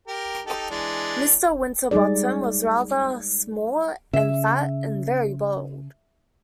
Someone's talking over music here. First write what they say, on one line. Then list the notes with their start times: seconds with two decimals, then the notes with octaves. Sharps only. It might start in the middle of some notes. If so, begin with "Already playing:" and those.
Mr. Winterbottom was rather small and fat, and very bald.
0.08 G4 A#4
0.46 D#4 G4 A4
0.70 E3 G#3 D4
1.91 G3 G#3 D#4 G#4 D5
4.13 C#3 E5